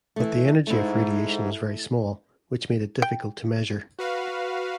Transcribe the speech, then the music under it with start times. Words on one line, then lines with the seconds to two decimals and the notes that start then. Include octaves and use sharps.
But the energy of radiation was very small, which made it difficult to measure.
0.16 E3 A3
0.67 G#2 A3 E4
3.02 G5
3.99 F#4 B4 F5